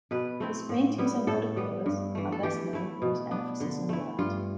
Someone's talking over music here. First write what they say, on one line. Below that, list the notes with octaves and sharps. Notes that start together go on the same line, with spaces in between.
His paintings and watercolors are best known for his emphasis on light.
B2 B4
A3 C4 E4
A2
G3 B3 E4
A2 A4
G3 B3
G2
E3 A3
A4
E3 G4
A3 E4
B2
B3 D4
D3
A3 E4
G2 F4